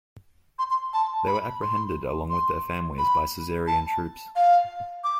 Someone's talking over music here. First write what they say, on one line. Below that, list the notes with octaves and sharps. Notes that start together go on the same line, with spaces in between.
They were apprehended along with their families by Caesarian troops.
C6
C6
A5
B5
C6
C6
B5
A5
F5
D6